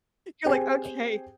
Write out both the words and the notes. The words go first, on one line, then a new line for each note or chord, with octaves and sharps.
You're like, "Okay,
C4 G4 G#4 C5 G5 G#5